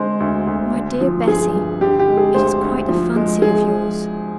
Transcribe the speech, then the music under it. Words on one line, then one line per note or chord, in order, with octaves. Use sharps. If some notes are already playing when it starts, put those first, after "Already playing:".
'My dear Bessy, it is quite a fancy of yours.'
Already playing: D3 G#3 C5
D2
D2
D3
F3
G2 G#4
G2
D3 G4
G4
G#3
G#4
D2 C5
D2
F3
G#3
G#4